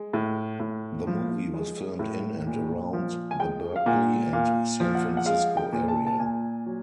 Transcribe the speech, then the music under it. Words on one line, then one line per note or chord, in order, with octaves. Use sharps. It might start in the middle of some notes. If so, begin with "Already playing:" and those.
The movie was filmed in and around the Berkeley and San Francisco area.
Already playing: G#3
A2
A2
F3
G#3
A2
A#2
F3
G#5
G#3 G5
F5
A#2 F#5
A#2 F5
F3
F#5
F#5
G#3 F5
G5
A#2
A5
A5
A#2 G#5
F#3